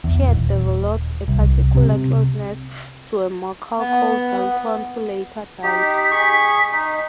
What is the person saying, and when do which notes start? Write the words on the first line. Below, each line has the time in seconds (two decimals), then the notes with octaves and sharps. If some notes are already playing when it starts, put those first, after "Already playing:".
She had developed a particular closeness to a macaw called Dalton who later died.
0.04 E2
0.27 D#1
1.28 C2
1.75 C3
3.79 B3
5.63 D#4 G4 B6
6.11 G#4 C#6
6.72 D#4